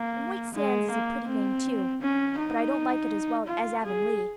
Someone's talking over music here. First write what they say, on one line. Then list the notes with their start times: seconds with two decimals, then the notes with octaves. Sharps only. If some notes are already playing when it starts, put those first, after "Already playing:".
And White Sands is a pretty name, too; but I don't like it as well as Avonlea.
Already playing: A#3
0.54 G#3
0.91 A#3
1.27 C4
2.01 C#4
2.38 D#4
3.47 F4
3.84 G#4